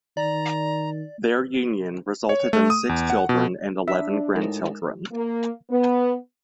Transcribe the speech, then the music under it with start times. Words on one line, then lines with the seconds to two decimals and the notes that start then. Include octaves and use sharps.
Their union resulted in six children and eleven grandchildren.
0.17 D#3 D5 A#5
2.29 C#5
2.53 A3
2.70 D#6
2.89 E2
3.10 F#5
3.29 B2
3.88 D4 E5
4.35 D2 A2 G#3 D#4 A#4
5.13 A#3
5.70 B3